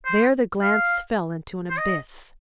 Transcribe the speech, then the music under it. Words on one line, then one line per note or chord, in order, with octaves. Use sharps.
There the glance fell into an abyss.
C5
F5
C5
D#5